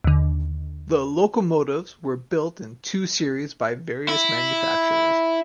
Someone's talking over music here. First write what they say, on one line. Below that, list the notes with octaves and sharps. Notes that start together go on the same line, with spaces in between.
The locomotives were built in two series by various manufacturers.
D#2 D3
E4